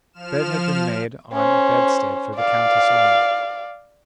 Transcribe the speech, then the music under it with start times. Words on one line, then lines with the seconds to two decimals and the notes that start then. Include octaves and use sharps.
A bed had been made on a bedstead for the countess only.
0.13 F3 F6 E7
1.33 C#4 C5
2.36 D5 F5